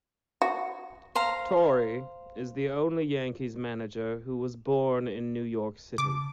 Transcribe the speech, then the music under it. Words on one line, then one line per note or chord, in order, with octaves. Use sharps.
Torre is the only Yankees manager who was born in New York City.
F#4
C5 F5 A#5
C#3 A5 D6